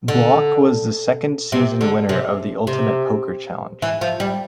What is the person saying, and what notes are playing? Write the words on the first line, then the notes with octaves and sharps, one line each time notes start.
Bloch was the second season winner of the Ultimate Poker Challenge.
D3
C3
D3
C3
C3
E3
F3
G3